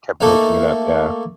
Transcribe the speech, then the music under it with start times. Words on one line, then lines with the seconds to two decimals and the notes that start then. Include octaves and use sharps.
Kept building it up, yeah.
0.21 A3 A#3 D#4